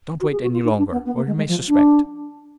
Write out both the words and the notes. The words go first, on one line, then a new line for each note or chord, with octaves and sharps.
Don't wait any longer or he may suspect.
F#4
G#4
F#4
F4
D#4
D4
B3
B3
A#3
G#3
G#3
F3
D4